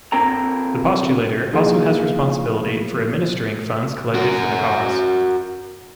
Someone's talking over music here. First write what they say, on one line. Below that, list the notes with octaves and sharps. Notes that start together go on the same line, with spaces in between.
The postulator also has responsibility for administering funds collected for the cause.
D3 C4 A#4 G5 A#5
B2 F3 A#3 D#4 E4 G#4
F#4 A#4